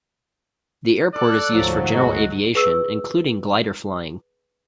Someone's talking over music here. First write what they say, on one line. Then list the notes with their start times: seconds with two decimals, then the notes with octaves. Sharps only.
The airport is used for general aviation, including glider flying.
1.15 A4 D5 F#6
1.52 D2 G#2 F3 F#3
1.94 G#3 F#4
2.55 G#4 B4 C#6 E6